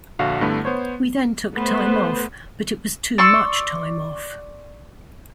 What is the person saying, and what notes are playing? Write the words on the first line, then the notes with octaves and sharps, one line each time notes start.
We then took time off, but it was too much time off.
A#1 D3 F#4 F5
G2 D3 A3 B3 D4 E4
B3 C5 C#5
A3 B3 B4 C5
D5 C6 C#6 E6